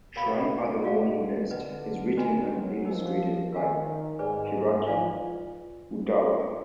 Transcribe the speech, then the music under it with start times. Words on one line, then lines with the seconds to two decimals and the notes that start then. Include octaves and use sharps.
"Shrine of the Morning Mist" is written and illustrated by Hiroki Ugawa.
0.16 B2 A#4 F5 B5
0.84 F#4 D5 F5
1.51 D3 B4 D#5 F#5
2.17 D#3 F#4 B4 D#5 G#5
2.51 F#3
2.85 F3 D#4 A#4 D#5
3.52 D#3 A#4 F5 G#5
4.19 G#2 G#4 B4 D5 G#5
4.86 F4 B4 D5 F5 G#5